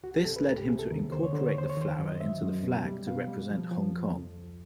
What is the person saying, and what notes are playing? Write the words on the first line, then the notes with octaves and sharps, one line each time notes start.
This led him to incorporate the flower into the flag to represent Hong Kong.
C#2 F#4
G4
C3 A4
B4
C#2 A4
G4
C3 G#4
A4
D#2 A#4
D3 C5
C#5
D3 C5
C#5
D#2 C5
C#5
D#3 C5
F#2
D#5
F#2 E5
F#2
B2
G3
B2 F5
G3
F3
F3
F2
F2
C#2